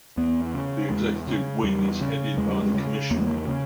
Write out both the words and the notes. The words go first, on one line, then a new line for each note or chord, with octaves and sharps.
The executive wing is headed by the Commissioner.
E2 B3
C#3
E2 G#3
C#3
E2 G3
C#3
E2 G#3
G3
G#3
C#3
E2 A#3
G#3
A#3
C#3